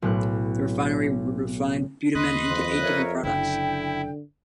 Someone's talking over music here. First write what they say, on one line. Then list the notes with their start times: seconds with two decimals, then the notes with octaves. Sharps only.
The refinery would refine bitumen into eight different products.
0.02 B1 A2 F#6
2.15 D#2 B4 D#5 C6 F#6
2.50 F2
2.81 A#4 C#5 E5
3.23 F#1 D3 E4 G5